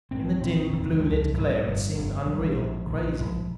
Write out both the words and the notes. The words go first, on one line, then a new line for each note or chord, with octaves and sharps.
In the dim, blue lit glare it seemed unreal, crazy.
A#1 G#2 C4
A#1 A#2 C4
F1 D#2 C#3
G3
C#2 C#3 F3
A#1 G#2 G3
G1 F2 C3
G1 F2 C3
A#1 G#2 G3
A#1 A#2 F3
A#1 A#2 D#3
A#1 G#2 F3